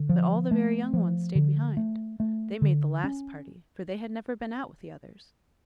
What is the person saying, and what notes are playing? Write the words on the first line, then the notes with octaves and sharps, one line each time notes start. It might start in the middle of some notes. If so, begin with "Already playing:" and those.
But all the very young ones stayed behind. They made the last party, for they had never been out with the others.
Already playing: D3
F3
A3
F3
D3
A3
A3
D3
C#4